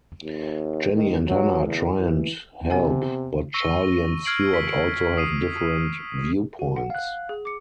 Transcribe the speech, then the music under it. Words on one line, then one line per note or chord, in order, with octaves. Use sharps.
Jenny and Hannah try and help but Charlie and Stuart also have different viewpoints.
D#2
D#3
F#3
E2
E3
C3 B3 F#5 G#5
C#6 E6 A#6 D#7 G7
F6 G#6 C7 D7 F#7
B6
D#6 C7 D#7
F#4
F#5
F5 F#6
G#4
D6 C#7